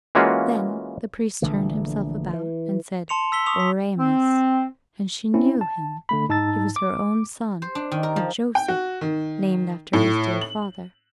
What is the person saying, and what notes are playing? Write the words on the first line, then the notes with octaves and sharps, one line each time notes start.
Then the priest turned himself about, and said, "Oremus." And she knew him--he was her own son--her Joseph, named after his dear father.
E3 G#3 A#3 C#4 F4 F#4
A#1 D3 E3 A3
E3
A5 C6 C#7 F7
E6 B6 G7
C#6 D#6 F7
B6
C4
C4 C#4 E4
A5
D3 A3 B5
G#2 D#4 A5 E6 A6
D6
C5
D4
D#3
A#4
F3
G5
F#4
D#3
A2
F#7